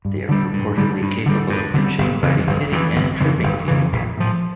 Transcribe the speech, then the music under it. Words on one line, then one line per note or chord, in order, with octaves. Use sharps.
They are purportedly capable of pinching, biting, hitting, and tripping people.
G2
D3 G3
G2
D3 G3
G2
D3 G3
G2
D3 G3
G1
F2 C#3 E3
G1
F2 C#3 E3
G1
F2 C#3 E3
G1
F2 C#3 E3
A#1
A2 F3